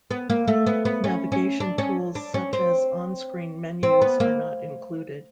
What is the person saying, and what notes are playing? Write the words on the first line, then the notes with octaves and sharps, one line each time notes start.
Navigation tools such as on-screen menus are not included.
B3
A#3
A3
B3
B3
C#4
C#4
D4
C#4
D4
C#4
C4
C4
B3
A#3